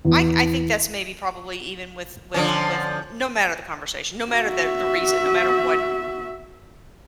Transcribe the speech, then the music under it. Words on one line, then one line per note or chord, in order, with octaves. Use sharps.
I I think that's maybe probably even with with with n n no matter the conversation, no matter the the reason, no matter what
E2
D3 F3 C#4
F#4 E5